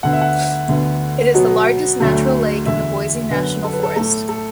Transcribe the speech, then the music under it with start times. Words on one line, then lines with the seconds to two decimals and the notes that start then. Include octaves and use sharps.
It is the largest natural lake in Boise National Forest.
0.03 D2 D3 B3 F#5
0.13 E5
0.21 F#5
0.69 D2 D3 B3
1.34 B2 F#3 B3
2.00 D2 D3 F#3 A3
2.65 E2 D3 F#3 E5
3.31 F#2 D3 B3 B4
3.64 A4
3.73 B4
3.83 A4
3.96 A2 A3 A4
4.29 A4